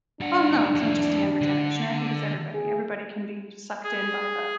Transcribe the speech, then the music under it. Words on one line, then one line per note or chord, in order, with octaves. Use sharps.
Oh, no, it's not just the younger generation, I think it's everybody. Everybody can be sucked in by the
G3 D4 F#5
F2 E4
D3
G#4
G#4